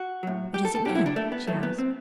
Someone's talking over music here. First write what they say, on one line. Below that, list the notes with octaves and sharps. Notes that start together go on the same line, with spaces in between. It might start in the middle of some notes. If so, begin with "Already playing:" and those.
"What does it mean?" she asked.
Already playing: F#4
A2 F#3
G4
A4
A4
B2 F#3 G4
E4
D4
A3
B3
A2 F#3 A3
B3
C4